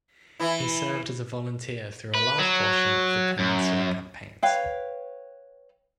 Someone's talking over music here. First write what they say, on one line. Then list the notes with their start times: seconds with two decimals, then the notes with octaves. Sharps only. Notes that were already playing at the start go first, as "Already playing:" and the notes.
He served as a volunteer through a large portion of the Peninsular campaigns.
0.40 E3 E4
2.14 B4
2.39 F#3
3.39 F#2
4.43 B4 C#5 F5 G5